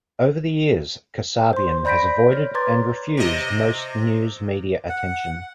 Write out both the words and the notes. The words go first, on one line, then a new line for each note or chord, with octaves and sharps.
Over the years, Kasabian has avoided and refused most news media attention.
C5 C6
D5 B5 G6 A#6 B6 D7
C#5 F6
B4 A#5 C6 D6 G#6 A6
C3 D#5
F#5